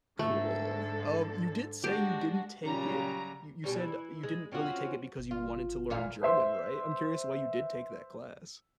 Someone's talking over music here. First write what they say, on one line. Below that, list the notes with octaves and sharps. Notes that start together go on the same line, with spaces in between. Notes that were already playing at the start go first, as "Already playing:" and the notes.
Cool, um, you did say you didn't take it you you said you didn't really take it because you wanted to learn German, right? I'm curious why you did take that class.
G#2 D3 A3 A4
G#3 D4 F#4 G4
A#2 C#3 F#3 G3 C#4 G4 A#5
B2 G3 C#4
E3 E4
G#3
C4 C#4 F4 F#4
G1
F4
E2 A#2 F5
B4 C5 E5 C6